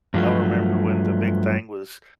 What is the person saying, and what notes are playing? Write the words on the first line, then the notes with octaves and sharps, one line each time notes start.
I remember when the big thing was
G2 F3 F#3 A3